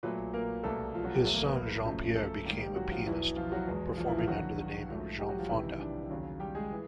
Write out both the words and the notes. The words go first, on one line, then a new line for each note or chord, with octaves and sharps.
His son Jean-Pierre became a pianist performing under the name of Jean Fonda.
A#2 F#3 A3 B3 B4
A#3 A#4
C2 B2 G3 A3 A#3 A4
F3 F4
F#3 F#4
G3 G4
E2 B2 F#3 A3 A4
A#3 A#4
B3 B4
A#3 A#4
F#2 C#3 F3 A3
A3 A4
G#2 D#3 G3 A#3 G4
G3 G4
F#3 F#4
F3 F4
E2 B2 E3 F#3 E4
F3 F4
F#3 F#4
E2 B2 G#3
F3 F4
E3 E4
F3 F4
D#2 D3 F3 F#3 F#4
G#2 F3 A3
G3 G4
F#3 F#4
F3 F4
C#2 C3 D#3 E3 G3 E4
D4
D#2 C#3 F#3
G3 G4
G#3 G#4
E3